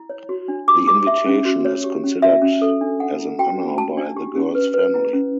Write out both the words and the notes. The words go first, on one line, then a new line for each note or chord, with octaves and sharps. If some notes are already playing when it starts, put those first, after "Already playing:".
The invitation is considered as an honor by the girl's family.
Already playing: E4
C#5
F#4
D4
G4 D6
E4 D6
G4 E5
C#4
F#4
C#5
G4
C#4
F#4 E5
C#4
A4
D4
A4 F#5
E4
F#4 G5
C#4
F#4 A5
D4
G4
C#4
B4
B4
E4
C#4